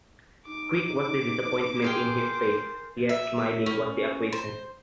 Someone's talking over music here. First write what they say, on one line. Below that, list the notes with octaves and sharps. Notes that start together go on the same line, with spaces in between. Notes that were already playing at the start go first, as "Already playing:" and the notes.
Quick was the disappointment in his face, yet smiling was the acquiescence.
D#4 D6
G#4 A#4 C5 F5 G5
E5
C#4
C5